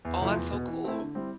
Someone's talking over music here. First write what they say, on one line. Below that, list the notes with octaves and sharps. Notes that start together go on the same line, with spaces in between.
Oh, that's so cool.
E2
C3 F3 A3 E4
E2
B2 B3
E3
A3 C4 E4
D3
G3 C4 E4